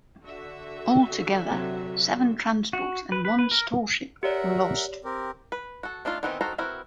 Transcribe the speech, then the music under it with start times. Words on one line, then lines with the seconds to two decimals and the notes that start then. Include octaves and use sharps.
Altogether, seven transports and one storeship were lost.
0.21 D3 F#4 E5
1.51 C3 F#3
2.73 F#4
3.12 B4
3.25 B4
3.39 B4
3.51 A#4
4.23 G4 A#4 C#5 D5 E5 F#5
5.04 C4 G4 A#4
5.52 B4
5.83 F#4 A4
6.05 A3 D4 D#4 F4
6.23 D#3 E3 B3 C4 D#4
6.41 D#3 F#4 A4 C5 A#5
6.58 C4 E4 F#4 A#4 B4